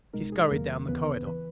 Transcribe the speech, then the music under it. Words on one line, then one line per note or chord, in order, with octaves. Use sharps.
She scurried down the corridor.
C#2 B2 G#3 D#4 A#4
G#4
E2 D#3 F#3 A#3 A#4
D#2 C#3 E3 B3 B4
E3 B4